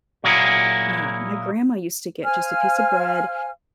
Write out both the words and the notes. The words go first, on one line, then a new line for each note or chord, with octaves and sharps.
Uh, my grandma used to get just a piece of bread
A#2 F#3 A#3 E4 F#4 G#4
C5 F5 G#5 F6